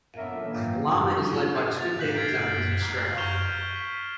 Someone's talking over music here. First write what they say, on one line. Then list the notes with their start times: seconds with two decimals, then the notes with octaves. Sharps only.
A llama is lead by two people down a busy street.
0.17 F#3 B3 D4 A4 A#4 E5
0.43 A#2 D#3 E3 F#3 A#3
1.79 A6 F7
1.99 F#6 G6 B6 F#7
2.15 F6 G#6 A6 C7 D7
2.66 G#6
3.17 C#6 F6 G6 E7 F7 G7
3.75 B6